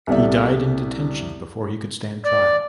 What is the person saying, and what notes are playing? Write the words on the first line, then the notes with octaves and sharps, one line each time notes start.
He died in detention before he could stand trial.
C2 C3 B3 A4 D5 E5
D5